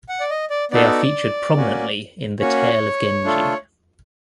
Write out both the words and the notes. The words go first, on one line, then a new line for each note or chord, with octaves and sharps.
They are featured prominently in "The Tale of Genji".
F#5
D5
D#5
D5
B3 D#4 F#4 A4 D5
A#3 C#4 F#4
A#3 C#4 F#4 C#5
A3 D4 F4 A4